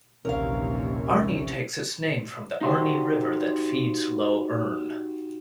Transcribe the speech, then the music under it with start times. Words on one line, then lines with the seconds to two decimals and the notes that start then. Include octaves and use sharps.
Arney takes its name from the Arney River that feeds Lough Erne.
0.25 A#1 D#2 C3 E3 C#4 A#4 F5
2.61 D#4 F#4 G4 C5